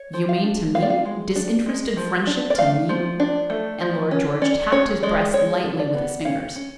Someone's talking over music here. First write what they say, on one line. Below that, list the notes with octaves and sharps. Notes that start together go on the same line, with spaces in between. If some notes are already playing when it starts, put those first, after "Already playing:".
"You mean to me?--disinterested friendship to me?" And Lord George tapped his breast lightly with his fingers.
Already playing: C#5
F3
F5
D4
B3 F5
D5
F5
G#3
D4
G#3
F3
D4
D5
A3 F5
F3
D4
A3
F3
C#4
C#4 D5
C#4 C#5
G#3 D5
G#3 C#5
D4
D5
B3
C#4 F5
C#4